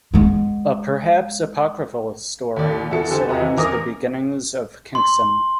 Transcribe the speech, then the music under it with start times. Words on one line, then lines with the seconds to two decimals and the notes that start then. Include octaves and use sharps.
A perhaps apocryphal story surrounds the beginnings of Kincsem.
0.14 G#3 B3
2.57 D#2 D5
2.90 E2 A#2 E4 F#4 A4 C#7
3.10 D3 G4 A4 C5 G#5
3.28 F4 F#4 B4 D#5 A5 A#5
3.39 E3 F#4
3.57 E2 C#4 A#4 D6 D#6 A#6
4.95 C6